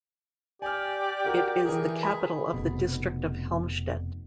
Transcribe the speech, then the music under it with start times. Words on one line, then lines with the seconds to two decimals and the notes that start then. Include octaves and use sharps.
It is the capital of the District of Helmstedt.
0.62 G4 D5 G#5 F6
1.25 F#4 A#4 F#5
1.65 E3 G#4 A#4
2.03 B5
2.54 F1 F2 B2